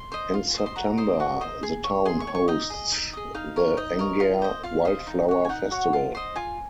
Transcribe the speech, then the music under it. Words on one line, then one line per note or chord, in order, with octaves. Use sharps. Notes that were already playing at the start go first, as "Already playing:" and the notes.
In September the town hosts the Angair Wildflower Festival.
Already playing: C6
C5 D#5
F4
C5 D#5
C6
F#4 A#5
C5 D#5
F#4
C5 D#5
G#4
C#5
G#4 C6
C#6
C#5
C#6
D#4 D#5
G#4 D#5
D#4
G#4 D#5
D#4 F5
A#4 C#5
D#4 D#5
A#4 C#5
F4
C5 D#5
F4 F5
C5 D#5
D#4
F#4 C#5
G#5
D#4 F#5
F#4 C#5
F4
C5 D#5
F4 G#5